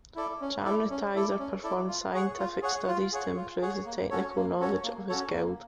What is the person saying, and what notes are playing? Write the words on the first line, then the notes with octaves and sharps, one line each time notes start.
Jamnitzer performed scientific studies to improve the technical knowledge of his guild.
E4 A4 D5
C#4
E4 A4 D5
C#4
E4 A4 D5
C#4
E4 A4 D5
F4
G#4 C#5 F#5
F4
G#4 C#5 F#5
F4
G#4 C#5 F#5
F4
G#4 C#5 F#5
A#3
C#4 F#4 A4 C#5
A#3
C#4 F#4 A4 C#5
A#3
C#4 F#4 A4 C#5
A#3